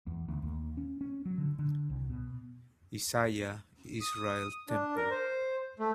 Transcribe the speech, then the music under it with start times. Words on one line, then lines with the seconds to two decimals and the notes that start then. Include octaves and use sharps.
Isaiah Israel Temple.
0.07 E2
0.28 D2
0.43 D#2
0.77 C#4
1.01 C#4
1.25 F#3
1.38 D3
1.59 D3
1.90 C2
2.10 B2
4.01 D#6
4.69 D4
4.96 A#4
5.11 C5
5.79 A3